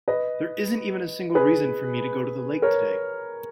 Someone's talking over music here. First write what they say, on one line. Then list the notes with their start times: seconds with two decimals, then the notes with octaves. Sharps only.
There isn't even a single reason for me to go to the lake today.
0.08 B4 D#5
1.35 G#4 B4
2.62 A#4 C#5